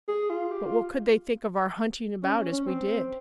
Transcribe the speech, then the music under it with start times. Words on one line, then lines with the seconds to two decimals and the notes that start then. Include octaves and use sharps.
"But what could they think of our hunting about as we did?"
0.08 G#4
0.30 F4
0.52 G4
0.65 F4
2.23 C#4
2.38 C#4
2.53 C#4
2.67 C4